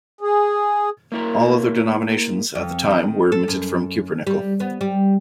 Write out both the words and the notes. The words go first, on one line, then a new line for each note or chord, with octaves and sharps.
All other denominations, at the time, were minted from cupronickel.
G#4
A#3 E4 A#4
F2
D#3
A4
F#2
G3
B3
G3